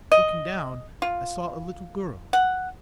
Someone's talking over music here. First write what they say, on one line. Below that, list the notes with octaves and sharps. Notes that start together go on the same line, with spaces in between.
Looking down I saw a little girl.
D#5
F4
F#5